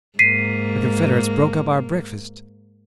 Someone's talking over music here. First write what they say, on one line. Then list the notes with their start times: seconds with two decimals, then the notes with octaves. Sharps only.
The Confederates broke up our breakfast.
0.19 G#2 A#3 B6 C7 D#7